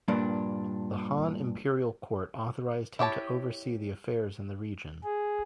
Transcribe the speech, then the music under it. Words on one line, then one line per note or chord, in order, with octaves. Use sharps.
The Han imperial court authorised him to oversee the affairs in the region.
G2 A#2 D4
E4 G4 C#5 A5
G#4